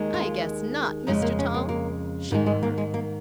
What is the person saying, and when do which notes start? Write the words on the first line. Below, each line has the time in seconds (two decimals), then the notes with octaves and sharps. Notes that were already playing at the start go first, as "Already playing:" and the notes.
"I guess not, Mr. Tom!" she murmured.
Already playing: D#2 D#3 G#3
0.14 F4
1.07 F2 C#3 G#3 D#4
1.22 A#3
1.39 C#4
1.54 A#3
1.69 A#3
2.31 G#2 D#3 G#3 A#3
2.46 G#3
2.63 A#3
2.78 G#3
2.94 A#3